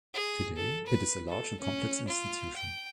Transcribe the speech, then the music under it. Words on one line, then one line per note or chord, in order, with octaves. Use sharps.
Today, it is a large and complex institution.
G#4
A4
B4
A4
C#4
F4
G5